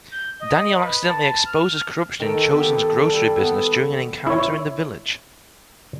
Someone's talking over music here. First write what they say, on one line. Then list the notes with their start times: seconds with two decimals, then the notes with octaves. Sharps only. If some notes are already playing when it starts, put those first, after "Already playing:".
Daniel accidentally exposes corruption in Chozen's grocery business during an encounter in the village.
0.12 G6
0.41 D#5
0.76 B4
1.06 A5
1.46 F6
2.20 D#3 A4 G5
2.51 B3 G4
3.02 G3
3.38 B3
4.27 E4 C#5